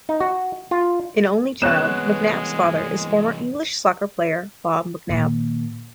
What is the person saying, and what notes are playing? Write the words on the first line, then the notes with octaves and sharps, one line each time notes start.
An only child, McNab's father is former English soccer player Bob McNab.
D#4
F#4
F4
C2 E3 G#3 B3 C#5 F#6 E7
A#2 D#3